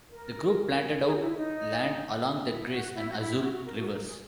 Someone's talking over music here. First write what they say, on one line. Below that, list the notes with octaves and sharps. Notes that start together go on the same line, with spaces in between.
The group planted out land along the Gris and Azul rivers.
A#4
G#4
F#4
E4
D#4
E4
F#4
E4
F#4
E4
F#4
F#4
A#4
F#4
A#4
G#4